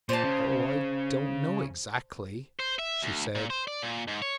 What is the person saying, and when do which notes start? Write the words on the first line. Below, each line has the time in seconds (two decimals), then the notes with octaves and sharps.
"Oh, I don't know exactly," she said.
0.09 A#2 C5 D5 A5
0.24 C#3
2.60 C5
2.79 E5
3.02 D2
3.35 A#2
3.50 C5
3.67 D5
3.82 A#2
4.08 G#2
4.22 C#5